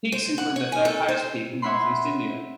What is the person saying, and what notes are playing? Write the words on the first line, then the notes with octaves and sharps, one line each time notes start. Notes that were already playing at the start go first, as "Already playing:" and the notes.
Peaks include the third highest peak in northeast India.
C5
F#5
C#5
G#5
A4
C5
C#5 E5 F#5 B5 C6